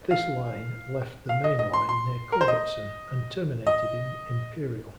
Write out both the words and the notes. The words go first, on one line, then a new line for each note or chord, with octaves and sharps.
This line left the main line near Culbertson and terminated in Imperial.
F5
F5
D#5
D#5
C6
C6
A#4
C5
D#5
D#5